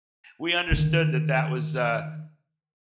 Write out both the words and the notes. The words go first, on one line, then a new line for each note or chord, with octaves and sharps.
we understood that that was, uh,
D3 D#3